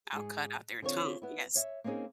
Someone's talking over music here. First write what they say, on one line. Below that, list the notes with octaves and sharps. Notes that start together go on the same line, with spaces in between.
"I'll cut out their tongue." Yes.
G#2 G#4
D3 C4 F4 C#5
B3 E4
C#5 E5
A#3 C4 C#4 D#4 G#4 A#4